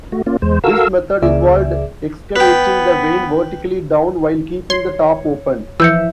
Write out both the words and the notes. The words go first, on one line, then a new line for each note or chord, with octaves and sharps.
This method involved excavating the vein vertically down while keeping the top open.
A3 F#4
A#3 C#4 F4
E2 G#3 C5
F#4 A4 A#4 F5 E6
C#2 C#3 A#3 G#4 D5 E5
B3 B4 G5
C#5 C6
E3 F3 E5 E6 G6 C#7